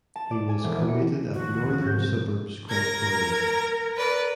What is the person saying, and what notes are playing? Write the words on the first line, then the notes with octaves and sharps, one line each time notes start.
He was cremated at Northern Suburbs crematorium.
A5
D5
G#5
E1
E3
C#7
D#2 F3 F#4
C2 G#2 G6
A#4 G#6 A#6
B4 D5